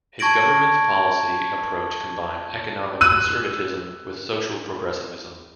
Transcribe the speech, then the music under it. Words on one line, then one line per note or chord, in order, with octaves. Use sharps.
His government's policy approach combined economic conservatism with social progressivism.
A5 C#6 G#6 A#6 D7 F#7
E6 F#6 D#7